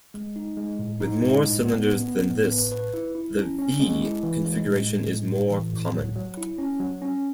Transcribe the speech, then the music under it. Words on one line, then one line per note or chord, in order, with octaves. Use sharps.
With more cylinders than this, the vee configuration is more common.
G#3
D#4
G#3
A2
D#4
G#3
A2
B3
B3
B3
A2
B4
B4
E4
E4
C#4
C#4
G#3
E4
E3
G#3
A2
G#3
A2
A2
E3
A2
F#3
F#3
E4
C#4
F#3
C#4